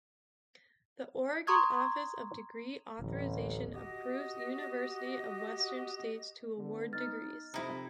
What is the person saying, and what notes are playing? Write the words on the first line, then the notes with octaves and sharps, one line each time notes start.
The Oregon Office of Degree Authorization approves University of Western States to award degrees.
A#5 C6 C#6 D#6 G#6
D1 A1
F#4 G4 D#5
D3 B3
D#4 F6 A6
F2 C3 D#4 E4